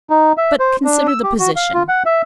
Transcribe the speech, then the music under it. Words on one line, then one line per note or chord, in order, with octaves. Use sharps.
But consider the position.
D#4
E5
C5
D4
E6
G4
F#4
F5
F4
F#5
E5